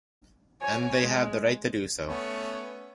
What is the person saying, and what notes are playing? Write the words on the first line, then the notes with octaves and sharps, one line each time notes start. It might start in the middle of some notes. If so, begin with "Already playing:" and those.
And they have the right to do so.
C#5 G#5
G#3
A3 B3 C#4